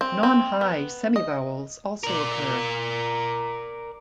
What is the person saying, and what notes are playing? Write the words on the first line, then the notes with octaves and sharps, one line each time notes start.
Non-high semivowels also occur.
C4
C4
B3
D#5
A#4 D5